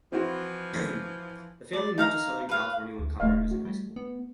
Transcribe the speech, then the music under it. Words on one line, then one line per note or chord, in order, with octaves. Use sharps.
The family moved to Southern California when Conrad was in high school.
E3 F3 C4 E4 F#4
D5
D#4 F5 F#5 A#5
B4 F5
D2
D#1 A3 D#5 F5
F#4
G3
B3